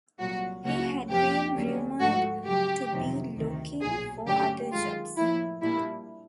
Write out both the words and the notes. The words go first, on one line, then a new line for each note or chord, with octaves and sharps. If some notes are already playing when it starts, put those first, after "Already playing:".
He had been rumoured to be looking for other jobs.
C2 A#2 F#3 F#4
C#2 C#3 F#3 A#3 C#4 F#4
F2 C3 F3 A#3 G4
D2 D3 F#3 A#3 C#4
G#2 F3 A3 F#4
F#2 C#3 F#3 G4
F2 C3 D#3 F#3
D2 C3 D#3
B1 A#2 F#3 G#4
G2 D3 F#3 A3 C#4 G4
F#2 D#3 G#3 F4
A2 F3 A#3 E4
A#2 G3 A#3 D4 E4